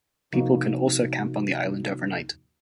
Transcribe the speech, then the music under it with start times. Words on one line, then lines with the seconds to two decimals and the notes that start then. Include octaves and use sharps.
People can also camp on the island overnight.
0.33 C3 F3 A#3 D#4 F#4